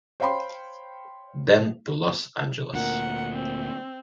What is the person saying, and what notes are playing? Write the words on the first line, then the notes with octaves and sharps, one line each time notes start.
Then to Los Angeles.
C5 C#5 F5 G5 B5 C6
D2 A#2 A#4 F#5
C4